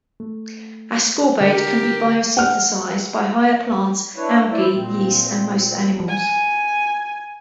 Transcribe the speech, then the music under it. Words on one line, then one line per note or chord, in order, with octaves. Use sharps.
Ascorbate can be biosynthesized by higher plants, algae, yeast and most animals.
A3
D3 G4 A#4
F#5 F6
D4 E4 B4 C#5
E4 C5 D5 E5
A#2 C4
G#5